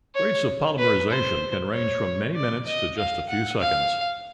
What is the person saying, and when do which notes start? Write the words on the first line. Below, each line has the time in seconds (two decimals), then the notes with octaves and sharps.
Rates of polymerization can range from many minutes to just a few seconds.
0.15 C#5
0.78 B4
1.10 C5
1.73 C#5
2.35 D5
2.66 D#5
2.97 F5
3.29 F#5
3.60 F5